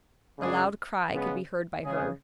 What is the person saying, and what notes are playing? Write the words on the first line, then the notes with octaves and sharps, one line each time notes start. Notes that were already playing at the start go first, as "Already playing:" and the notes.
A loud cry could be heard by her.
F#2 C#3 G#3 D4 G#4
C#3 G#3 B3
C#3 G#3 C#4 G#4